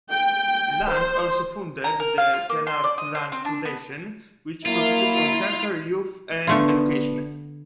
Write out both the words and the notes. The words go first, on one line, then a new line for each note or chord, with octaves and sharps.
Lang also founded the Kenard Lang Foundation, which focuses on cancer, youth, and education.
G5
C5
A#5
A#4
F5
F4
A#3
C6
D5
D#5
C5
C4
D4
B3
F#3 A#3 E4 F4
D3 A3 B3 D4 F4